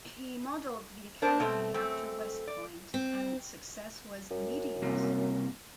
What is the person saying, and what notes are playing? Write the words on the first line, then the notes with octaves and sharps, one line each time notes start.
He modeled the academy after West Point and its success was immediate.
D4 A#4 C5
B2 A3 C4
F#2 A3 C4
D5
C4
F#2
C3 G3 A#3